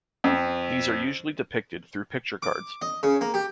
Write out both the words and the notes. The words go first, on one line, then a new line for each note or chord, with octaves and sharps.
These are usually depicted through picture cards.
F2
D6
D#5
C#3
A#3
G4